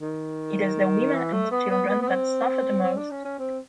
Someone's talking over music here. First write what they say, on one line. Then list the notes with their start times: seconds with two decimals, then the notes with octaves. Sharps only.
It is the women and children that suffer the most.
0.01 D#3
1.14 E3
1.33 A3
1.51 B3
1.71 B3
1.89 B3
2.02 B3
2.08 C4
2.83 C4
2.97 D4
3.11 C#4
3.25 C#4
3.39 C4